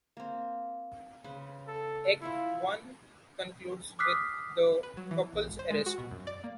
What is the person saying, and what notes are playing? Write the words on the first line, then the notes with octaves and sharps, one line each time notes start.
Act One concludes with the couple's arrest.
A#3 C4
C#3 B4 C5
A4
E4 F4 C5 C#6
D6 D#6 F6 F#6 B6 C7
B4
F#3
E3
B1
G#1
C5
G#3
F#4
B2
F#2
D5
A#3